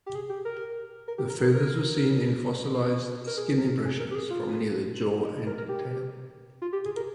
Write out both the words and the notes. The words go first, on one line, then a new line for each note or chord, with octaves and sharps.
The feathers were seen in fossilized skin impressions from near the jaw and tail.
G4
G#4
G4
A#4
A#4
G4
A#4
A#4
A#4
A#4
G#4
G#4
A#4
G4
G#4
F4
D#4
D#4
A#4
A#4
G4
F4
G4
G#4
A#4